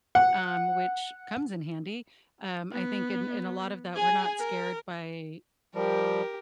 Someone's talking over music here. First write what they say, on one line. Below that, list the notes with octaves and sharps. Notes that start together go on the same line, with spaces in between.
um, which comes in handy, um, I think in in a lot of that, we're not scared by
F#5
B3
G#4 G#5
A#4
F3 G3 G4 A#4